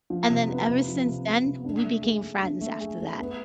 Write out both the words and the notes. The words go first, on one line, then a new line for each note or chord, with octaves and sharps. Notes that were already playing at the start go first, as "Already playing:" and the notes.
And then ever since then, we became friends after that.
F3
C3
B3
C3
F3
C3
B3
C3
D4
A3
G#4
A3
D4
A3
G#4
A3
B3